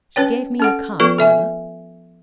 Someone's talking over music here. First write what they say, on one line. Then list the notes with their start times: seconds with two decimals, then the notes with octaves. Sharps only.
'She gave me a calf, Mother.'
0.16 C#4 B4 C#5 G5
0.60 C#4 A4 F#5
1.00 F3 B3 F4 A4 B4 C#6
1.18 A4 E5 G#5